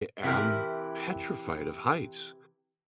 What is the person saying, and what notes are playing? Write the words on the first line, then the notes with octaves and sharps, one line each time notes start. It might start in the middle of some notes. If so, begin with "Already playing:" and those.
I am petrified of heights.
C3 E3 E4 G4 A#4